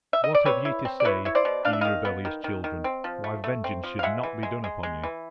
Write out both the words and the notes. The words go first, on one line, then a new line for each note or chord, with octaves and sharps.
"What have ye to say, ye rebellious children, why vengeance should not be done upon you?"
E5
D#5
D5
C4 B4 C#5
E4
C4
D5
E4 B4 C#5
E4 C#5
C5 D5
B2
D4 F5
E5
D#3 D#5 F5
B3
D#3
D#3
D#3
C4
F3
A3
A3
C4
F3
F5
G#3 E5 F#5
E3
G#3
G#3
G#3
E3